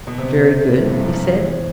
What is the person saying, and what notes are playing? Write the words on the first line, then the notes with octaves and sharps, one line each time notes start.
Very good, he said.
B2
C3 C5
A2
G2
F#2
F#2
E2